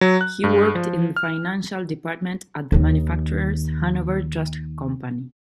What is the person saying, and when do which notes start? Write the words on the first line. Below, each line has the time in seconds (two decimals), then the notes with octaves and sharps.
He worked in the financial department at the Manufacturer's Hanover Trust Company.
0.01 F#3
0.21 F#6
0.44 G2
0.75 F3
1.16 F6
2.72 D#2 D#3